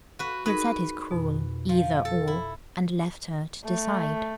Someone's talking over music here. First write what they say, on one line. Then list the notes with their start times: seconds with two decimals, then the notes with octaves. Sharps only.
He had said his cruel "Either--or--" and left her to decide.
0.19 F#4 B4
0.46 D#4 G#4 A#4 B4
1.11 F2 B2
1.69 F3
2.05 A4
2.28 E4
3.66 A3